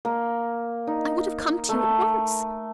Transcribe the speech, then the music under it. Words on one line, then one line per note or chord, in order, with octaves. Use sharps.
I would have come to you at once.
A#3
D#4
A3